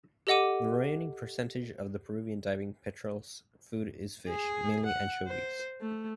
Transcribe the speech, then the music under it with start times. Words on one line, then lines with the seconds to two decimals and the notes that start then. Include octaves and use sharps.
The remaining percentage of the Peruvian diving petrels food is fish, mainly anchovies.
0.27 G4 A4 D#5 F#5 D6 D#7
4.29 G#4
4.86 F#5
5.28 C5
5.81 A3